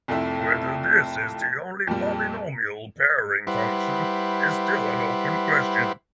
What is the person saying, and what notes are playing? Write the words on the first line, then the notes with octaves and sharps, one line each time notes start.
Whether this is the only polynomial pairing function is still an open question.
C2 F2 A3 E4 E5
F2 A#2 G3
G3 E4 B4 C5 F#5